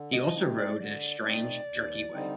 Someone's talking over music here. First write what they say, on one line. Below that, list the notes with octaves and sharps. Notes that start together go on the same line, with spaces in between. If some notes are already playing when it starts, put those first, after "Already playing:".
He also rode in a strange, jerky way.
Already playing: D3
D#5
A3 C4 D#4
D5
D3 D5
A3 C4 D#4
D#2
D3 G3 C4 D#4